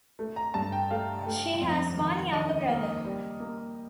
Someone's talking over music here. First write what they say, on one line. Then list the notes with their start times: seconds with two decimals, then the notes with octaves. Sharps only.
She has one younger brother.
0.19 A3
0.36 A#5
0.54 G2 A5
0.72 G5
0.91 A3 F5
1.26 A3
1.62 F2
1.98 D#3
2.33 D#3 D#5
2.69 A#3
3.05 G3
3.40 A#3